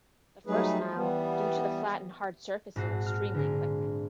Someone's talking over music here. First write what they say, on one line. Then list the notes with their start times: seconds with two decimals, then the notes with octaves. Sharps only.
The first mile, due to the flat and hard surface is extremely quick.
0.47 F#3 G3 A3 D#4 G#4 B4
0.94 E3 G3 B3
2.76 G#1 A#2 F#4 C7
3.06 F6
3.34 D3 G#4 A#4